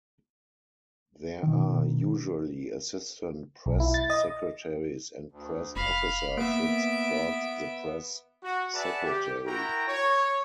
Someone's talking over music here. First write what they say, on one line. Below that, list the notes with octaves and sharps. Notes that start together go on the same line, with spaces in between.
There are usually assistant press secretaries and press officers that support the press secretary.
B2 D#3
B1
E4
A6
D#5
D2
F1 F5 B5
A#3 B3 E5 D7
F#4
G#4 B4 D5 E5 F#5 A5
G4
E4 F#4 A#4 G5 A#5
C#5